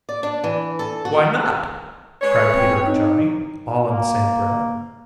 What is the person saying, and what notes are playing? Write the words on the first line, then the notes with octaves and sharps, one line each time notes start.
"Why not?" cried Peter and Johnny, all in the same breath.
D5
D4
E3
A4
F#4
G#3 B4 C#5
C4
D#4
A#3